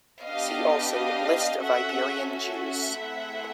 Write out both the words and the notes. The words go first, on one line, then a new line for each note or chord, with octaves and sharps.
See also List of Iberian Jews.
B3 D4 G4 D#5 F5
D#5 F5
C#4 F#4 A4 E5 F#5
E5 F#5
A3 C4 E4 G#4